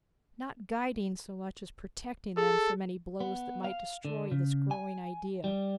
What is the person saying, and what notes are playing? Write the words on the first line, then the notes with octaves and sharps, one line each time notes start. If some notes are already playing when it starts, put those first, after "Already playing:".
Not guiding so much as protecting them from any blows that might destroy this growing idea.
G#4 A4
B3
F5
D3
C#3
G#5
G3